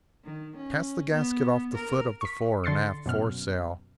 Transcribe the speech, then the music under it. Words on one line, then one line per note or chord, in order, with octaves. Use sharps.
"Cast the gasket off the foot of the fore and aft foresail."
D#3
C#4
B3
A#4
C#6 B6
D3 C6 A6 C7 C#7
F#2 B2 F6